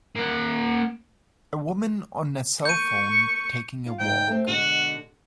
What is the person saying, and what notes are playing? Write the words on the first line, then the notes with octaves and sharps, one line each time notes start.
A woman on a cellphone taking a walk.
A#3 F#5
C#6 G6 D#7
F4
G#2 G5
A3 C4
B2 D3 G#3 F#4